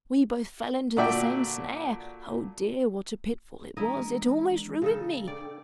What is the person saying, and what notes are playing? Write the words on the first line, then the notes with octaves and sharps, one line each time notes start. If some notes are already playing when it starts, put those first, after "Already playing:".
We both fell into the same snare; oh dear, what a pitfall it was; it almost ruined me!
A#2 D3 F#4 D5 E5 G5
E3 G#3 D4 E4 D#5 A#5
C#3 D#4 A4
D4 A4 D5 G5